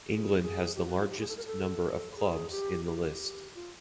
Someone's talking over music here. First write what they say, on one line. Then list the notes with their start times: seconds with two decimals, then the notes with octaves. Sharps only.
England has the largest number of clubs in the list.
0.06 G#4
0.41 G#4
0.76 G4
0.87 F#4
0.99 F4
1.10 G4
1.20 G#4
1.28 A4
1.37 A#4
1.46 A4
2.15 G#4
2.51 G4
2.85 G4
3.55 F4